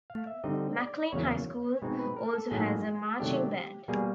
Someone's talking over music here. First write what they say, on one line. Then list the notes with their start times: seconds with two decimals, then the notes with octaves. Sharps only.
McLean High School also has a marching band.
0.10 F5
0.27 E5
0.44 D3 G3 C4 D#4 D#5
0.78 D5
1.12 E2 C#3 F#3 A#3 C#5
1.82 B2 G#3 C4 D#4
1.99 B4
2.16 A#4
2.33 A4
2.51 A2 F#3 A#3 D#4 G#4
3.20 C3 D#3 F#3 A3 D4 G4
3.88 B2 G3 A#3 G#4